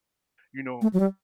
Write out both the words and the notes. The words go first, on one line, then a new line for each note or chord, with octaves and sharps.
you know
A3
F#3
G3